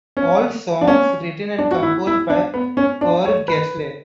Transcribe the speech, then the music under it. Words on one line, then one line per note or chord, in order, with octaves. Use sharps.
All songs written and composed by Per Gessle.
C#4
D4
C#4
D4
F#4
E4
E4
D4
B3
C#4
D4
C#5
B4